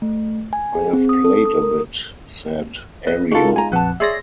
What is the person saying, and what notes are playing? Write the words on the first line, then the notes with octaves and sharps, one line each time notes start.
"I have played a bit," said Ario.
A3
G#5
G#4
C4
D#6
A4
D#6
A#4
B4 D#5
G#3 D#4 F4 F#4 A4
G#5 A#5
A#1 F2 B4 F#5 A5
G#4 C#5 D5 E5 C6 A#6